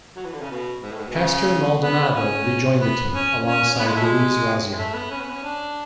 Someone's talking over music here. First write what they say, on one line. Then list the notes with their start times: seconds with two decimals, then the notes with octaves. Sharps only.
Pastor Maldonado rejoined the team, alongside Luiz Razia.
0.16 F#3
0.25 E3
0.33 D3
0.42 C#3
0.50 B2
0.83 G#2
0.91 A2
0.99 G#2
1.08 B2
1.15 C#3
1.82 B3
2.14 C#4
2.80 B3
3.13 C#4
3.46 C#4
3.79 B3
3.87 G#3
3.96 A3
4.04 G#3
4.73 G#3
4.78 A3
4.90 A3
4.94 B3
5.11 C#4
5.20 B3
5.30 C#4
5.43 D4